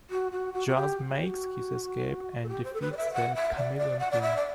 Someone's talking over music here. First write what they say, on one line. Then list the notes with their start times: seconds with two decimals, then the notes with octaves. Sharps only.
Jazz makes his escape and defeats the Chameleon King.
0.10 F#4
0.32 F#4
0.53 F#4
0.67 F#4
0.75 G4
1.18 F#4
2.43 A4
2.48 G4
2.64 C5
2.73 A4
2.81 B4
2.92 D5
2.97 E5
3.13 F#5
3.35 E5
3.56 D5
3.77 D5
3.99 F#5
4.11 D5
4.21 E5
4.36 D5